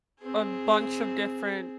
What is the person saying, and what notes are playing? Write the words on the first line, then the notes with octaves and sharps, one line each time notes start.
a bunch of different
C4 G#4